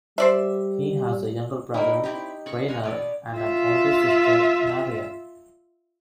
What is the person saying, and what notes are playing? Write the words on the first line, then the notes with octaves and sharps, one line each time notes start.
He has a younger brother, Rainer, and an older sister, Marion.
G3 C5 D5 E5
A#3 D#4 E4
C4 D#4 E4 G4
C#3 B5 C#6
G#3 F#4 A#4
B2 C#5 D5
F4 E5